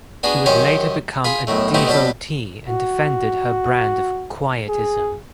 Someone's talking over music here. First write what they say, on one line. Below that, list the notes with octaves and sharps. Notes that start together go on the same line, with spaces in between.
He would later become a devotee and defended her brand of Quietism.
B3 D4 F#4 G#4
F#2 D#3 C#4 G4 C5 C#5
F4 G#4 B5
B1 F#2 A2 A3
A3 B3 C4 D#4 E4 G4
B2 F#3 G3 G4 A5 B5
F#4
G#4